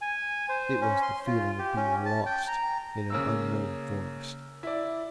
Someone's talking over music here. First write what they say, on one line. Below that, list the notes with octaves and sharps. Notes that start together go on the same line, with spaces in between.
It was the feeling of being lost in an unknown forest.
G#5
C5
C#4
C6
F4
G4
C#4
A5
G5
A#5
C#3 A#3 E6
E4 D5